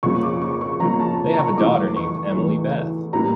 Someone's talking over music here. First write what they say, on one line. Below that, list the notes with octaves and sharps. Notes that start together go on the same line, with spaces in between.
They have a daughter named Emily Beth.
F2 C#3 F3 A#3 C#6
D6
C#6
C#6
F2 C#3 F3 A#3 A#5
A5
A#5
C#6
E2 E3 A3 D6
C#6
E2 E3 A3
A2 G3 A#3 A#5